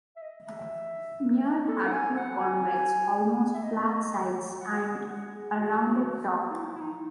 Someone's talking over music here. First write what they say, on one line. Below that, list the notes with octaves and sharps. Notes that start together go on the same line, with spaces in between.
Mere have two convex, almost flat sides and a rounded top.
E5
D#5
E5
A4
F#5
G#5
F#5
G#5
E5
D#5
F#5
G#5
F#5
G#4
F#4
D#4
E4
E4
D#4